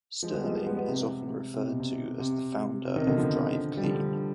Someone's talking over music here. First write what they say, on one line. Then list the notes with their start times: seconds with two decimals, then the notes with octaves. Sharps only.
Sterling is often referred to as the founder of Drive Clean.
0.23 F3 G#3
0.34 G3 B3
0.45 F3 G#3
0.55 F3 G#3
0.66 G3 B3
0.77 G3 B3
0.88 C3
1.54 C3
1.67 B2
1.80 C3
2.19 C3
2.85 C3
2.96 C3 D#3
3.07 B2 D3
3.17 D3 F3
3.77 G3
3.84 D3 F3